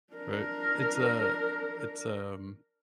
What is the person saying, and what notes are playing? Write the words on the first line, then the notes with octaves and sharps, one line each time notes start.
Right, it's a it's, um
D4 A#4